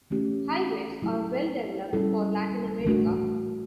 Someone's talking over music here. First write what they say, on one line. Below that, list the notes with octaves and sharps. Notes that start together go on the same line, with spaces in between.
Highways are well-developed for Latin America.
E3 A3 C#4 G4
F#3 A3 E4
G3 C#4 E4 A4
E3 A3 D4 F#4